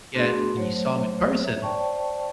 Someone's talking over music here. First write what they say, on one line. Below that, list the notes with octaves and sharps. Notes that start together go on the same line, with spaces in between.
Yet when you saw him in person,
A3 B3 D4 F#4 G#4 C6
F#3 A3 C5 C#5
C#5 E5 A#5
C5 D5 G5 A5 C#6